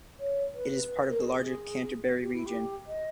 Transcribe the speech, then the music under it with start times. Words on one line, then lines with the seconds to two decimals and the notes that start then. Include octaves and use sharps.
It is part of the larger Canterbury region.
0.19 C#5
0.53 B4
1.09 A#4
1.20 G#4
2.20 G4
2.33 E4
2.46 G4
2.87 D#5